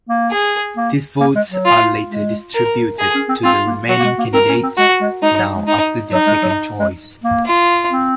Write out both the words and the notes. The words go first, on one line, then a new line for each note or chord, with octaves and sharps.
These votes are later distributed to the remaining candidates, now after their second choice.
A#3
G#4
A#3
A#3
G#3
F#3
F4
G#3
A#4
G#4
C#4
C4
C4 F4
A#3
F#3 F#4
A#3
G#3
A#3
C4 A#4
C#4
C4
G#3 F#4
G#3
G#3 D#4
F#3
G#3
D#4
F#3 D#4
G#3
F#3
G#3
A#3
F4
C4